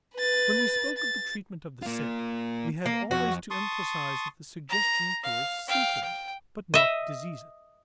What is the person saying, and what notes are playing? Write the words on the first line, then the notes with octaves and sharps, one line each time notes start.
When we spoke of the treatment of the sick, we had always to emphasize that the suggestion cures symptoms but not diseases.
B4 A6
A6
A#3 F4
A#3
F2 F#4
A5 C6 C#6 D#6
A#5
F5
F5 G5
G5
D#5 E5